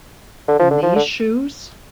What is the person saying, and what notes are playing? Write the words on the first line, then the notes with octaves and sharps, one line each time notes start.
In These Shoes?
D3
F3
D3
F3
D3